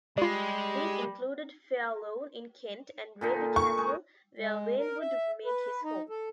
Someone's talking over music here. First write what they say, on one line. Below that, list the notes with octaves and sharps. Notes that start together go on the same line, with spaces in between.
These included Fairlawn in Kent, and Raby Castle, where Vane would make his home.
G3 G#3 F4 G4 D5
A#2 D3 D#4
C#6
G#3
G#3
A#4
E5
B4
D#4
A4